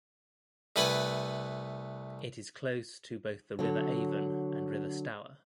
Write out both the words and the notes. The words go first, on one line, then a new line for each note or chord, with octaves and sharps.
It is close to both the River Avon and River Stour.
C2 A3 B4 F#5 G#5 B5
D3 F#3